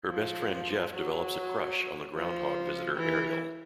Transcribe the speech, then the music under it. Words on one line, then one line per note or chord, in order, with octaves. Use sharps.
Her best friend Jeff develops a crush on the "groundhog" visitor, Ariel.
F3
F#3
F3
E3